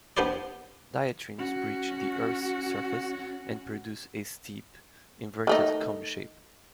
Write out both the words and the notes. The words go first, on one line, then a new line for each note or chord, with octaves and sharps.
Diatremes breach the Earth's surface and produce a steep inverted cone shape.
B3 D4 G4 B4 C5 D5
C#4 F#4
D#3 A3 D#4